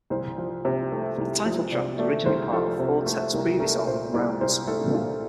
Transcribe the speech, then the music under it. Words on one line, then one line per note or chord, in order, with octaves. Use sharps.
The title track was originally part of Four Tet's previous album, "Rounds".
C2 C5
F3
C3
A3
C2
F3
C3 D5
A3 D5
C2 C5
F3 A4
C3
A3
C2 A#4
A3 A#4
A#2 C5
C2 D5
C2 C5
A3 A4
A#2 F4